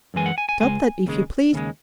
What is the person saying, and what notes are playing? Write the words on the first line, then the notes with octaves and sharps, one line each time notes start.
Stop that if you please!
F#2 E3 G#3 G#5
F#5
G#5
G#5
C#2 C#3 G#3 G#5
D#2 C#3 G#3
D#2 C#3 G#3